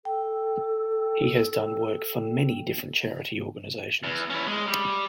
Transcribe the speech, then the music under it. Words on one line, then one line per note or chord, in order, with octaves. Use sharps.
He has done work for many different charity organizations.
A4 G5
E2
C#4 E4
G#3
G3